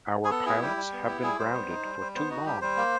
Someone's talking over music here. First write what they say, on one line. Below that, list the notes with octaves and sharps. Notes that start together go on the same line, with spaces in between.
Our pilots have been grounded for too long.
G#4
B3 A4
E4 G#4
G3 G4
G3
B3
E4
G3 G#4
G3 C5
B3
D#4
G3
G3
B3 C5
D#4 F#4
G3 G4
G3 C5
A#3